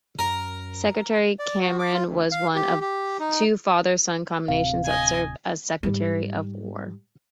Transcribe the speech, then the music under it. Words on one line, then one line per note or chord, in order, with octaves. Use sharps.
Secretary Cameron was one of two father-son combinations that served as Secretary of War.
F#2 A#4
D5
F#4
D6
F4
D2
F5
G4
G4
D#4
D1 C3 F5
D#5 G#5
G#2 G3